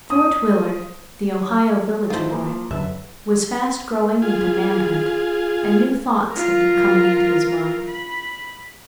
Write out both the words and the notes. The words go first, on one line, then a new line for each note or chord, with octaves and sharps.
George Willard, the Ohio village boy, was fast growing into manhood and new thoughts had been coming into his mind.
D#6
D#3 E3 A3 F4 C5
F3 A#3 C6
F#2 D3 B4 E5
F4 G#4
F4 A#4
B5